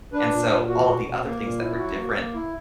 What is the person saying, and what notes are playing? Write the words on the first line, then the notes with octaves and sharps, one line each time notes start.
and so all of the other things that were different
D4 B4
A#2
A#2
E2 F#4
B2
B2
A#3
A#2
E4
F#3 F#4
A#3
A#3
E4